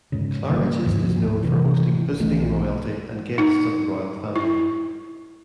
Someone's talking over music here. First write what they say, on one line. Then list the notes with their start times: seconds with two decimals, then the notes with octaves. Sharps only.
Claridge's is known for hosting visiting royalty and guests of the Royal Family.
0.12 G#2 C#3
0.49 G#1 C#3 G3 A#3
0.84 D#1 D2 G#2 F3
1.42 G#1 C3 E3
2.20 B1 E3 A3 B3
3.38 D#4
4.36 E4